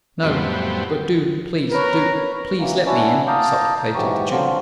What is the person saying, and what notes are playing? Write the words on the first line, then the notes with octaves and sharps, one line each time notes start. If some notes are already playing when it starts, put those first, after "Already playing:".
"No; but do, please--do, please, let me in," supplicated the Jew.
F2 A2 F#3 G3 B3 C4
A#4 B4 C#5
E3 F#3 A#3
C#4 D4 E4 F#4
F5 A5 A#5 D6 D#6 G6
G#2 E3 F#3 G4 C#6
D3 F3 F#3 F4